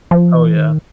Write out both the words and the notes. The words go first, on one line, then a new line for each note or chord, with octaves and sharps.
Oh, yeah.
F3
E3
D#3